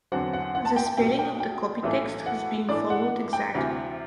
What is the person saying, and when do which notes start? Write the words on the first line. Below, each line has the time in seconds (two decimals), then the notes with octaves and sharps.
The spelling of the copy-text has been followed exactly.
0.12 E2 D3 F#3 C4 F#5
0.33 F#5
0.55 F#5
0.65 A5
0.76 G5
0.87 G5
0.97 C2 B2 A3 G5
1.19 G5
1.40 G5
1.83 B1 A2 E3 A3 E4
2.26 F#5
2.69 A2 E3 A3 D4 D5
2.90 F#5
3.33 G5
3.54 D2 C3 E3